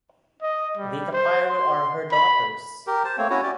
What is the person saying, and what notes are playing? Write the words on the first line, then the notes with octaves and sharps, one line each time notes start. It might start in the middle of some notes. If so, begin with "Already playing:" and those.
The Tapairu are her daughters.
D#5
G3
C5
C6
B5
G4 A#4
C5 A5
A3 A#3 C4 C#5
C#4 E4 F#4 C#5
C#4 G4 D5